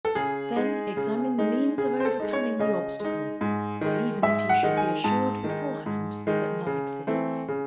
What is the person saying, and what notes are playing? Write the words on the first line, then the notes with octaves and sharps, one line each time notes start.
Then examine the means of overcoming the obstacle, even if you should be assured beforehand that none exists.
A4
C#3 G#4
G#3 D#4
C#3
G#3 D#4
C#3 G#4
C5
A4
G#3 D#4
C#5
C#3 D#5
G#3 D#4
G#2
D#3 G#3 D#4
G#2 E5
F#5
D#3 G#3 D#4
G#5
G#2 A5
D#3 G#3 D#4
G#2
D#3 G#3 D#4
C#3
E3 A3 C4
C#3